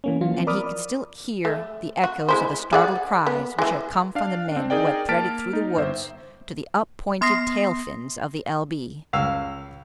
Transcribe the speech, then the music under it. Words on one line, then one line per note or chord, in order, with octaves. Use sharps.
And he could still hear the echoes of the startled cries which had come from the men who had threaded through the woods to the up-pointed tail fins of the L-B.
E3 A#3 C#4
E3 F#3 F4
F3 C4
A#4 D5 B5 D6 D#6 F6
D5
A3
F#4
G#3 E4 C5
G#4 D5 F#5
B3
E3 G#3
D4 F5
C4 D4
D#4 G#4 A#4 D5 G5
A#3 A5 F6 A6 B6 D7
D#4
G1 C5 E5
B3 C6 D#6 A#6 C7
C#2 F5 E6